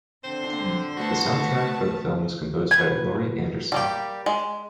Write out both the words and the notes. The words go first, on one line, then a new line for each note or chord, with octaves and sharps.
The soundtrack for the film was composed by Laurie Anderson.
D3 C4 C5
A3 B3 F#4 A5
B4 G#6
G3 A#3 G4
G#3